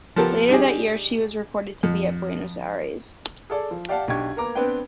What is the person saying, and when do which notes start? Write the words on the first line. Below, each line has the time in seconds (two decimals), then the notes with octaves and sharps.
Later that year she was reported to be at Buenos Aires.
0.16 F3 B3 G4 A4 A#4
0.49 G3 D4 D#4 G4 G#4
1.83 F2
3.50 G#4 A4 D5
3.71 F3
3.89 G4 D5 F5 F#5 A5
4.08 B1 D4 G4 C#6 G#6
4.37 A#3 B3 A#5 D6
4.55 B3 C4 D4 B4 G5